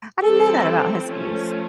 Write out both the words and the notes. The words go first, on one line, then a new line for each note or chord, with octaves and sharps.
I didn't know that about Huskies.
E3 G3 C4 A4
F3 A3 C#4